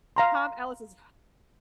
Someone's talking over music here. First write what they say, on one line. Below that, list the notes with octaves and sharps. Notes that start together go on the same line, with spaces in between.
Tom Ellis is h
F5 A#5 C6